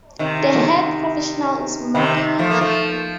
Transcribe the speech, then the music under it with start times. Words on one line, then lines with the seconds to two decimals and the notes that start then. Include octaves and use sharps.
The Head Professional is Mark Heartfield.
0.19 C3 D#3
1.95 C3 D#3
2.17 C3
2.39 F3 A3
2.51 A#3
2.61 F3 A3